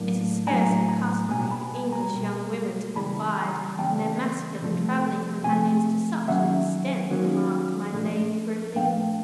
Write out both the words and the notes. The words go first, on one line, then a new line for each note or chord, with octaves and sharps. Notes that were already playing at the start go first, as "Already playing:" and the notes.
"It is scarcely customary for English young women to confide in their masculine travelling companions to such an extent," remarked my lady grimly.
Already playing: A2 F#3 A#3 D4
A2 F#3 A#3 D4 G#5 A#5
G#5 A#5
B2 G3 A#3 G#5 A#5
A5 B5
G#5
A5
G#5 A#5
B2 G3 A#3
C#3 E3 G3 A#3 A5 B5
G#5 A#5
C#3 E3 G3 A#3 G5 A5
C3 F3 A3
C3 F3 A3 G#5
D#3 F#3 A#3 C#4 E5 F#5
D#3 F#3 A#3 C#4
A#2 F3 A3 D4
A#2 F3 A3 D4 F5 G5